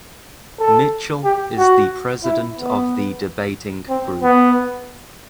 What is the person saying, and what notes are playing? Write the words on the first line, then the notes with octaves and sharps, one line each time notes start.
Mitchell is the President of the Debating Group.
A4
G4
F#4
E4
B3
C4
B3